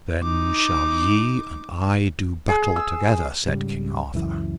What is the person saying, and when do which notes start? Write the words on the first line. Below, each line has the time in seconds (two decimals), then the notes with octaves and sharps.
Then shall ye and I do battle together, said King Arthur.
0.23 D#4 D6
2.49 G#4
2.76 E6
3.47 G#2 C#3 G3
4.14 C#2 F#2 E3